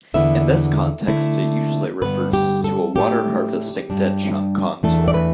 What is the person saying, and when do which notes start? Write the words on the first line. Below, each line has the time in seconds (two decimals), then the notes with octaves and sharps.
In this context it usually refers to a water-harvesting ditch on contour.
0.14 E2 D3 B3 E4 E5
1.08 D3 A3 E4
2.02 G2 D3 B3 B4
2.33 G4
2.64 A4
2.95 A2 A3 D4 G4
3.90 G2 G3 D4
4.83 E2 E3 A3 D4 A4
5.08 D5
5.14 B4